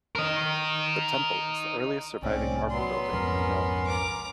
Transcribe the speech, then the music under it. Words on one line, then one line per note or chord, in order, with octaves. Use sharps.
The temple is the earliest surviving marble building in Rome.
A#4 D#5
C2 A2 C4 C#4 D5
F#3 B3 C6
B1 F2 G#2 C#4 A#4
A#5 D6